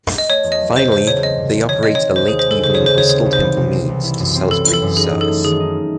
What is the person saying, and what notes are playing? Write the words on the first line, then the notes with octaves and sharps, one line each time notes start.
Finally, they operate a late evening Bristol Temple Meads to Salisbury service.
D#5
A3 C#5
E2
D#5
F#3
C#3 C5
A3 C5
E2 C#5
C4 D#5
C3
A3
D#3 C#5
C4 D#5
C#5
C3
D#2 C5
G#4
D#2
C5
G#3 A4
C#3 C5
C#5
D#2
C5
D#2 C#5
C4 C#5
C2
C5
E3
C3
C4
C2
E4
F#2
C4
E3 A4
E4
A4
F#2
D#4 G#4
F#2
A4
A3
D#3 G#4
D#4